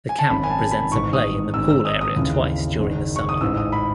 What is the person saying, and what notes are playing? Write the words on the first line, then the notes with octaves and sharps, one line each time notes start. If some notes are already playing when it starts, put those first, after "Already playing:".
The camp presents a play in the pool area twice during the summer.
G#5
A5
G#1 F#2 D#3 B5
G#5
A5
B5
A1 G#2 D#3 C#6
D#6
G#1 G#2 D#3 E6
E6
D#6
D#6
D#2 C#3 E3
F#1 F#2 D#3
C#6
D#6
A1 G#2 E3 E6
D#6
B5